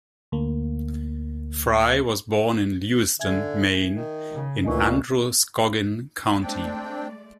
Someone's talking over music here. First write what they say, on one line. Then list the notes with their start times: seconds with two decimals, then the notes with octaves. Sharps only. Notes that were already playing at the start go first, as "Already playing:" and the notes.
Frye was born in Lewiston, Maine, in Androscoggin County.
0.32 D2 A#3
3.20 D3 E5 G#5 G#6
3.91 D#3
4.32 C#3
4.65 D2 A#2 E3 D#5 G#5 C#6
6.42 G#3 A3 C4 D4 D5 G5